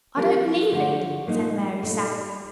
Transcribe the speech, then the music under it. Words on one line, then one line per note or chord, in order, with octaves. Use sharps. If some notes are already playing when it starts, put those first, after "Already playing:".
"I don't believe it!" said Mary sourly.
F3 C4 G4 A#4
D3 F3 A3
A#2 F3 A#3 D#4
A#2 A3 D#4